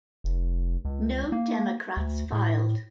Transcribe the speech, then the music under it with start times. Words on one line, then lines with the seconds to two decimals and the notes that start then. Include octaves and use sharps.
No Democrats filed.
0.24 F1
0.85 C#2
1.32 A#3
1.97 D2
2.32 A2